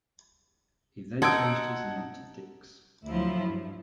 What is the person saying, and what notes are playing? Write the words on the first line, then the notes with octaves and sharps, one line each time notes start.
He then changed his name to Dix.
D#4 F#4 F#5 A5 E6 G#6 D7
D2 F3 F#3 E4 F4
G2